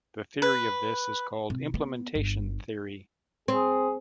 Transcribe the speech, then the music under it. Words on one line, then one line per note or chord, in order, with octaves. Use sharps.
The theory of this is called implementation theory.
B4
C3
B3
G1
C4 G#4